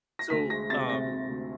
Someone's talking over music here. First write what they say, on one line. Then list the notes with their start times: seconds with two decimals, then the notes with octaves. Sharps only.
so, um,
0.19 A#6
0.30 D2 B6
0.50 G#3 A#6
0.70 C3 A6
0.89 C3 A#6
1.10 C3
1.29 D2